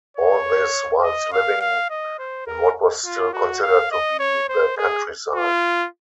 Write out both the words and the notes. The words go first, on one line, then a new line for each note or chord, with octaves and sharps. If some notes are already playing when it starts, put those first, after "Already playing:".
All this, whilst living in what was still considered to be the countryside.
C#5
D#5
F5
F5
D#5
C5
A#4
F4
F#4
F5
D#5
C#5
C5
G#4
F4